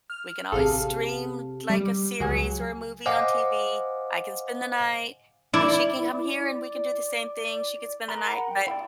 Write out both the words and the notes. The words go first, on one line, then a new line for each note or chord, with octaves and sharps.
we can always stream, like, a series or a movie on TV, I can spend the night, you know, she can come here and we can do the same thing, she could spend the night, but,
F6
A1 C3 G#4 A4 F5
G3
C#2 F#3 F#4 G#4
C5 D#5 F5 F#5 G#5 D6
E4 D5
A#4 A#5 B5
F#5
G5
E4 D5